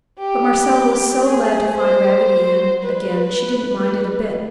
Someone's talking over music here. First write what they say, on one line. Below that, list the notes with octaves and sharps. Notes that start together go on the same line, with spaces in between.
But Marcella was so glad to find Raggedy Ann again she didn't mind it a bit.
G4
G#4
C5
B4